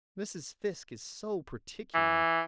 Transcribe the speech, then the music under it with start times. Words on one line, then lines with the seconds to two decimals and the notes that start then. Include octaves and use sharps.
Mrs. Fiske is so particular.
1.94 E3